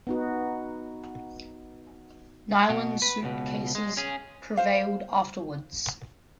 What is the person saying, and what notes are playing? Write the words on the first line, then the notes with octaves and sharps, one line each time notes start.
Nylon suitcases prevailed afterwards.
B3 D#4 F#4
B2
B4
C#2 B2
G#3
C#4 G#4
C5 F5